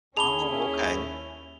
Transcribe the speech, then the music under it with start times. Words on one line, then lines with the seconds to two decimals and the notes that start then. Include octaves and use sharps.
Oh, okay.
0.17 D#2 C#4 E4 G#4 A5 B5 F7 G7